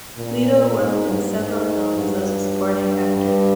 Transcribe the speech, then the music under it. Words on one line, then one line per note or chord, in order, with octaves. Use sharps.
Lito worked in several films as a supporting actor.
A#2
G#2
G2
G#2
G2
G2